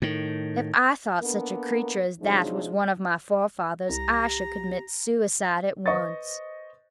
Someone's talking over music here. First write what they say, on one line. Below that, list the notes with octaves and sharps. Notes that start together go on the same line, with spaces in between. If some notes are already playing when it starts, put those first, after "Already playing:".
"If I thought such a creature as that was one of my forefathers, I should commit suicide at once."
A2 D#3
A#3 B3 D4 A4 A#4
C3 F3 F#3 G#3 D4 D#4
C2 G4 A#5
B4 C5 D#5 C#6 D#6 A6